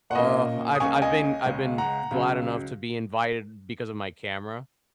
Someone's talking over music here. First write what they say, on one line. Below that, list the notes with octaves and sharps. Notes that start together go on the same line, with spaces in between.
uh, I've I've been I've been glad enough to be invited because of my camera,
F#5
A#2 A#3 C#4 D#5
D#6
C#2 C#3 A#3 C#4 G#5 C#6
D#5 G#5
C#2 C#3 G#3 C#4
F#5 A#5
C#2 C#3 F#3